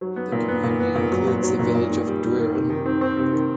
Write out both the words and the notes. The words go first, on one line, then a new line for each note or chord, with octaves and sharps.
The community includes the village of Dwyran.
F#3
B3
A#2
B3
A#2
B3
A#2
F#3
A#2
F#3
A#2
A#2
D#3
G3
G3
D#3
C3
D#3
C4
C4
C3
D#3